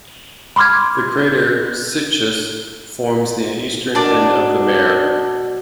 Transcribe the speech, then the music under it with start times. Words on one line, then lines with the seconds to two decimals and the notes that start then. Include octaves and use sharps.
The crater Cichus forms the eastern end of the mare.
0.56 B5 C6 D6 F6 G#6
3.95 B2 D4 A#4 D5 D#5